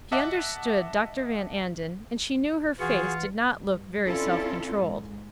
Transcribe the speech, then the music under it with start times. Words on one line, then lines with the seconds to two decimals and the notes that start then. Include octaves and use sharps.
She understood Dr. Van Anden, and she knew her face did not look very self-controlled.
0.12 D#5 E5 F#5 A5 D6 F#6
2.80 E3 F4 F#4 G#4 F#5
3.58 G2
4.07 C4 C#4 E4 F4 A4 D5
4.79 G#2